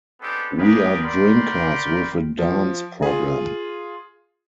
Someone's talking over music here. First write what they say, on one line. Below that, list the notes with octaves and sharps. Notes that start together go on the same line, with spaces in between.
We are drinkers with a dance problem.
G#3 B3 C4 D4 G4 A4
D4 F4 G4 G#4 A#4 B4
F#4 A#4 D5 G5 B5 C6
F3
F4 G#4